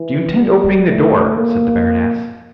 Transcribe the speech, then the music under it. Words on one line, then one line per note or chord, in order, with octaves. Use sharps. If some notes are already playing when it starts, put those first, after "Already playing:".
"Do you intend opening the door?" said the baroness.
Already playing: E3
G3
A3
A#3